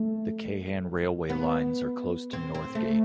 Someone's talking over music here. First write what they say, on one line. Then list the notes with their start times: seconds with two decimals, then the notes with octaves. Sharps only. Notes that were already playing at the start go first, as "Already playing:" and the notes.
The Keihan Railway Lines are close to north gate.
Already playing: A3
1.29 B3
2.33 C4
2.54 C4
2.75 A3